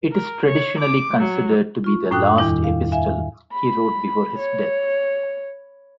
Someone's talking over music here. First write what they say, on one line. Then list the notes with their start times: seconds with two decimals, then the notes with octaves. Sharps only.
It is traditionally considered to be the last epistle he wrote before his death.
0.12 A#4
0.46 C#5
0.78 D6
1.18 F#3
1.84 F4 C#6
2.11 F#2 A2 D4 G5 D#6 F#6
2.38 E2 D#3 G3 E4 D6
2.64 F5
2.92 E5 F5 G#5
3.53 B5
4.39 C#5